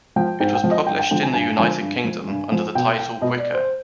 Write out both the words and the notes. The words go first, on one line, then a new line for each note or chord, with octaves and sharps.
It was published in the United Kingdom under the title Wicker.
F3 G5
G#2 G5
G5
F3
D#5
G2 G5
G5
D3 F3 G5
G#5
G2 G#5
D3 F3 G#5
G2
F3
G2
F3
B2 G5
G5
B2 D#5
D5
C5